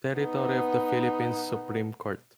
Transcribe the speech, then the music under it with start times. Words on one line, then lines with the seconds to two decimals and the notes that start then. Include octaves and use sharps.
Territory of the Philippines Supreme Court.
0.18 B3 D#4